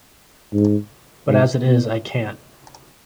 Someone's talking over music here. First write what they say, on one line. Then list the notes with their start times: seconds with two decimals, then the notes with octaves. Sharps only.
But as it is I can’t.
0.54 G#2
1.29 G#2
1.67 B2